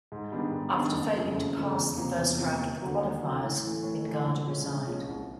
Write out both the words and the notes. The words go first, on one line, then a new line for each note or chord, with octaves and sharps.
After failing to pass the first round of the qualifiers, Vingada resigned.
G#2
D#3 G3 B3 D4
G#2
D#3 G3 B3 D4
F#1
F2 C#3 F3 A3
F#1
F2 C#3 F3 A3
E2
C3 F3 A#3
E2
C3 F3 A#3
D#2
D3 F#3 A#3
D#2
D3 F#3 A#3
A2
E3 A3
A2
E3 A3
A#1
A#2 F3 G#3 C#4
A#1
A#2 F3 G#3 C#4
C2